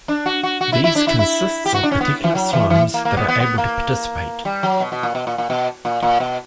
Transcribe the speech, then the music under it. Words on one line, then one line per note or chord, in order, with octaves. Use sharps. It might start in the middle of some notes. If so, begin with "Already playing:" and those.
These consists of particular Slimes that are able to participate.
D4
F#4
F#4
F#4
E4
E4
D4
E4
E4
G4
F#4
D4
C#4
B3
E3
F#3
E3
E3
A#3
A#3
B3
B3
B3
A#3
G3
F#3
B2
B2
A#2
B2
A#2
A#2
B2
A#2
A#2
B2